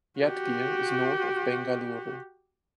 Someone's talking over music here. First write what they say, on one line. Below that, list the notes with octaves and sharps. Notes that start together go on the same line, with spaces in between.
Yadgir is north of Bengaluru.
F#4 G4